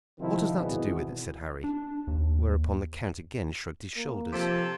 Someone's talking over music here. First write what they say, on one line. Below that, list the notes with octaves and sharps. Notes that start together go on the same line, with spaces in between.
"What has that to do with it?" said Harry; whereupon the count again shrugged his shoulders.
C3 D#3 F3 C4 D#4 E4
G#1 E2 B2 E3 B3
D4
D#2
A#3
C3 F3 A4